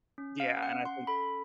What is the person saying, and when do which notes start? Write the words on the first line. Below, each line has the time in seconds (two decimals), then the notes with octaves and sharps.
Yeah, and I think
0.18 C#4
0.40 F5
0.62 C#4 F#5
0.85 C6
1.07 A4 B5